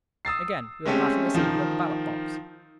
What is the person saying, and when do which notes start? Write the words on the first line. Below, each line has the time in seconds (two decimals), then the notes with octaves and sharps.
Again, we will battle this evil at the ballot-box.
0.25 D#6 E6 A6 C7
0.85 G#3 A3 C4 C#4 G4 A4
1.34 D#3 F3